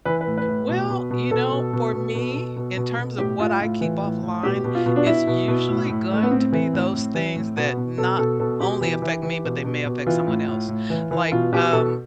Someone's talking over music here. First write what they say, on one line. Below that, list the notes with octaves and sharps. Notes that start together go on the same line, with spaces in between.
Well, you know, for me, in terms of what I keep offline, it's usually going to be those things that not only affect me, but they may affect someone else. Like, um,
E3 B4
B4
A2
B4
A2
B2
B2
B2
B2 A4
B2
B2
B2
B2
B2
B2
B2
B2
A2 G4
A2 F4
A2 F4
E3
A2
A2
B2 G4
B2
F4
B2
D4
B2 E4
B2
B2
A2
A2
A2 A3
B3
A2 C4
E3
A2
A2
E3
A2
B2 B3
B2
B2 A4
B2 A4
B2 A4
B2 G4
E3
E3
E3
B2
B2
B2
E3 F4
A2
A2
A2
E3
E3
B2 F4
B2 G4
B2 A4